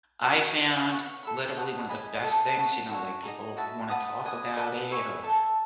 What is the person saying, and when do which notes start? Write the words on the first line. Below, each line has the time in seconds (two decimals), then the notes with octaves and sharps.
I found literally one of the best things, you know, like people wanna talk about it or
0.23 F#4 C#5 F#5
0.57 E4 B4 E5
0.90 C#5 F#5 C#6
1.23 A4 E5 B5
1.56 C#5 F#5 A5 D#6
1.89 G#4 D#5 G#5 B5
2.23 A4 D#5 A5 D#6
2.56 B4 F#5 A5 C#6
2.90 F#4 A4 C#5 F#5
3.23 D#4 G#4 D#5
3.56 F#4 B4 E5 A5
3.90 B4 F#5 A5 D#6
4.24 B4 D#5 G#5 D#6
4.57 B4 D#5 F#5 A5
4.90 B4 E5 G#5 C#6
5.23 A4 E5 A5